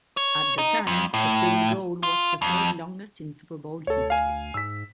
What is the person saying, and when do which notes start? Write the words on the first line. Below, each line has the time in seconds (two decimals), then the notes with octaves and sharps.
At the time, the field goal was the third longest in Super Bowl history.
0.17 C#5
0.59 D#4
0.87 F2
1.14 A2
2.03 F4
2.42 F2
3.87 D2 A4 C#5
4.10 F5 G#5
4.54 G#2 E6 B6